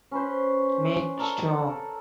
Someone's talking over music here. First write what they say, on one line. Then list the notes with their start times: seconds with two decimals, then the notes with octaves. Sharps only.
Make - Strong.
0.11 C#4 B4 C5
1.17 A4 A#4 D5